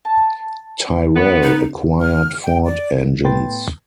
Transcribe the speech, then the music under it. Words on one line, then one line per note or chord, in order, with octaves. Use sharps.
Tyrrell acquired Ford engines.
A5
B3
D#4
F6
G5
D5
A2 B3 B4 G5 C6 A6